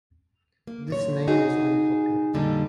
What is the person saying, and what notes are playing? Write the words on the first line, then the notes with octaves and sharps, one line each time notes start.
This name was unpopular.
A#3
F#2 A#2 C#5
D#4 F#4 G#4
F2 A#2 D3 G3 D#4